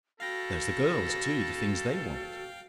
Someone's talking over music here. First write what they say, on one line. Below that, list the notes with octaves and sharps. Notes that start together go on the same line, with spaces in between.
There's the girls, too--the things they want!
F#4 A4 F5 G5 B5 A#6